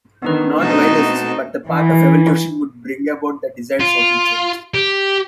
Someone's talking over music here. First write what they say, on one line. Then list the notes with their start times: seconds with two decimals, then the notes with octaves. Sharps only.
Not violence, but the path of evolution, would bring about the desired social change.
0.22 D#3 B3 D4 B4
0.60 B2 A3 C4 D#4 F#4 A5
1.67 E3
3.80 F4
4.74 G4